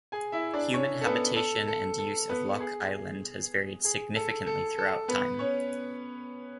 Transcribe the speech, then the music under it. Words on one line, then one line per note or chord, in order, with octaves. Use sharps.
Human habitation and use of Locke Island has varied significantly throughout time.
G#4 G#5
E4 E5
D4 D5
C#4 C#5
A4
B3 B4
A4
A4
A4
B3 B4
G#4
G#4
A4
A4
A4
B3 B4
C#4 C#5